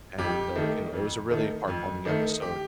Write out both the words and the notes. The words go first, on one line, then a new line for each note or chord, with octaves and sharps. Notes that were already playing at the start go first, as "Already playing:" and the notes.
and like, you know, it was a really heartwarming episode,
F2 G4
D#3 A3
F2
D#3 A3
F2
D#3 A3
G4